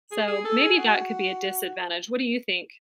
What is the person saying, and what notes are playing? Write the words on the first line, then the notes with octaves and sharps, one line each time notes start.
So, maybe that could be a disadvantage. What do you think?
G#4
G#4
A4
G#4
F#4